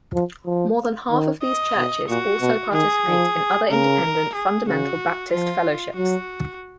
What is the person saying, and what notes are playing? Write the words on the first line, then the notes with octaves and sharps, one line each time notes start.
More than half of these churches also participate in other independent fundamental Baptist fellowships.
F3
F3
D#3
D#5
B2
A#2 F#4
B2
D#3 G#4
F3
C#3 A#4
G#4
C#3 F#4
F3 F4
F#3 F#4